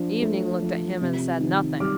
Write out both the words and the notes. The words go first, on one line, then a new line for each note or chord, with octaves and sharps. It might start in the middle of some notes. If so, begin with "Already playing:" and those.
Evening looked at him and said nothing.
Already playing: F3 D4
A3
F3
C3
D#3
G3 D6 F6